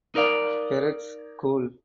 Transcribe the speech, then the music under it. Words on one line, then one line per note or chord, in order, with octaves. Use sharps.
Peretz School.
D#4 A#4 D5 F5